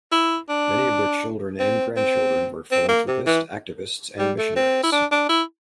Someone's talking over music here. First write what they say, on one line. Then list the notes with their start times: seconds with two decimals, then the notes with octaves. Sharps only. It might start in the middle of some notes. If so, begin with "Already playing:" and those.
Many of their children and grandchildren were philanthropist, activists and missionaries.
0.12 E4
0.49 D4
1.60 C4
1.96 C4
2.71 C4
2.89 A#3
3.07 C3
3.26 E3
4.19 G3
4.38 A3
4.56 C4
4.83 E4
4.92 D4
5.12 D4
5.29 E4